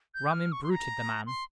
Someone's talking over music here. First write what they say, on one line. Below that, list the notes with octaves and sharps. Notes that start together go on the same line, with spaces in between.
Rum imbruted the man.
G6
F6
C#6
C6
A#5
C6